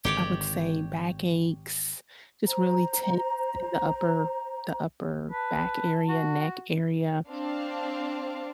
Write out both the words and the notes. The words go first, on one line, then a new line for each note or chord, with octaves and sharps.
I would say backaches, just really tense in the upper the upper back area, neck area,
G#1 D3 G4 C#5 D5
C5 A#5
B4 A5
F#4
C4 D4 F5